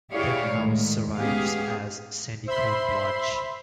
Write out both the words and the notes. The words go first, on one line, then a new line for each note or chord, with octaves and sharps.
The house survives as Sandycombe Lodge.
E4 G4 G#4 C#5 D5 F5
A2 D#3 G#3
G#3 B3 C#4 G4 G#4 F5
C5 E5 B5 C6